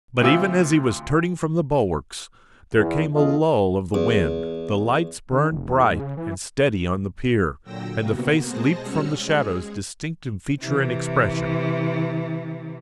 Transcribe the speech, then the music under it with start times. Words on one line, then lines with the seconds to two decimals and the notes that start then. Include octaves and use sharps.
But even as he was turning from the bulwarks, there came a lull of the wind, the lights burned bright and steady on the pier, and the face leaped from the shadows distinct in feature and expression.
0.21 D2 C3 F4 E6
2.74 E2
3.15 E2 F4 A4 D#5
3.94 E2
5.31 D3
5.52 F1
5.68 E2
5.84 G#2
5.99 C#3
6.17 E3
7.64 A#2 D3 F#3 G5 E6 A#6
7.97 C3 A#3 B3 F#4
8.43 B2 G#3 G#4 C5 A5 A#6
8.82 G3 C#4 F#4 E6 F6 C#7
9.17 G#3 G#4
10.62 C3 E3